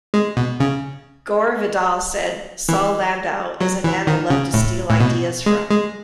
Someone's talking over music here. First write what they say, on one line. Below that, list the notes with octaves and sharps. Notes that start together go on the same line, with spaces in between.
Gore Vidal said, Saul Landau is a man I love to steal ideas from.
G#3
B2
C#3
E3
F#3
E3
D#3
C#3
A2
A2
B2
G#3
G#3